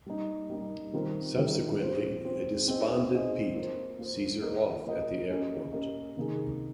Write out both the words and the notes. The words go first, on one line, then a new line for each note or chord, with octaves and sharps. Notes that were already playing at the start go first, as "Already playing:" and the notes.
Subsequently, a despondent Pete sees her off at the airport.
G3 A#3 D#4
G3 A#3 D#4
D#3 G3 C4 F4 A#4
D#3 G3 C4 F4 A#4
C4 F4 C5
C4 F4 C5
C4 D#4 G#4 D#5
C4 D#4 G#4 D#5
A#3 F4 C5
A#3 F4 C5
A#3 F4 A#4 D#5
A#3 F4 A#4 D#5
A#3 C#4 G4 A#4 D#5
A#3 C#4 G4 A#4 D#5
C3 D#3 A#3 D#4 G#4